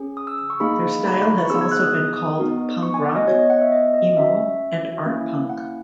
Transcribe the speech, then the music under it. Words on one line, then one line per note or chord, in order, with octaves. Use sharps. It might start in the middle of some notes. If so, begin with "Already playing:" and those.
Their style has also been called punk rock, emo and art punk.
Already playing: C#4 G#4
D#6
E6
E6
C#6
A#3 D#4 G#4 B5
B5
A#5
B5
C#6
B3 D#4 G#4 E6
G#6
F#6
D#6
D#6
D#6
B3 D#4 F#4
C#6
G#5
F#5
D#5
B3 F#4 C#5
D#5
F#5
E5
D#5
D#5
C#4 F#4 E5
A#3 C#4 E4
F#5